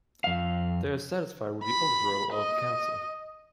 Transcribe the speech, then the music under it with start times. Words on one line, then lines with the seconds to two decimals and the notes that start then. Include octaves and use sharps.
They are satisfied with the overthrow of the Council.
0.24 F2 F5
1.64 B5
2.34 D#5